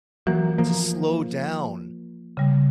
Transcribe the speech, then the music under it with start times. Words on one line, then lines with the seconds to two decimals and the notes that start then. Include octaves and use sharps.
to slow down
0.27 E3 F#3 A#3
0.58 F3 A#3
2.37 C#3 G3